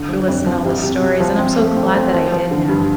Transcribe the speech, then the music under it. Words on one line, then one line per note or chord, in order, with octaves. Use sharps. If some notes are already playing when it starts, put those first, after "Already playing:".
listen to all the stories, and I'm so glad that I did now.
Already playing: D3
F3
F2
F3
C2
C3
C3
F3
C4
A3
C4
C4
F3
F3
D3
G2